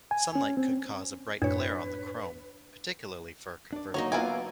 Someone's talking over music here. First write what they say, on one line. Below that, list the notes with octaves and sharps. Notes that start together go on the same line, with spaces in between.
Sunlight could cause a bright glare on the chrome, particularly for a convertible.
G#5
C#4
C4
F#2 A2 D4 B4 C#5
D4 D5
F#3 A#3 D#4 C#5
A#3 B3 E4 F4 B4 G#5 D6